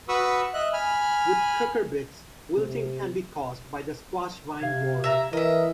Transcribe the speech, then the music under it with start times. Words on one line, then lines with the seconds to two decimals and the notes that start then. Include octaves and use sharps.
With Cucurbits, wilting can be caused by the Squash vine borer.
0.09 F#4 B4 B5 C#6 D#6 E6
0.54 D#5 E5 F#6
0.73 G#5 B5 F6
2.57 C3
4.60 C3 F5 G#6
5.04 E5 A#5
5.33 E3 A#4 D#5 E5